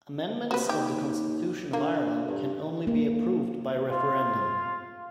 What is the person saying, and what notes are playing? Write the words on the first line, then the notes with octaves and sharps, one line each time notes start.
Amendments of the Constitution of Ireland can only be approved by referendum.
C3 F#4 B4
D#2 G4
D3 A#3
G2
A#3
F4